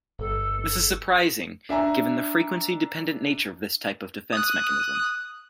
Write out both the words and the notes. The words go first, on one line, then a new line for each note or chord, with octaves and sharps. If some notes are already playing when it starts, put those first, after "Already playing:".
This is surprising given the frequency-dependent nature of this type of defense mechanism.
G1 A4
D4 E5 G#5 A#5
D#6 F#6